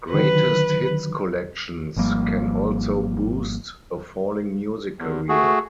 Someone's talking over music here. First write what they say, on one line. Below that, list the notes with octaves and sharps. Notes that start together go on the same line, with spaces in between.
Greatest hits collections can also boost a falling music career.
D3 D#3 F#3 B4
G#1 F3 G3 A#3
E2
A3 F#4 G#4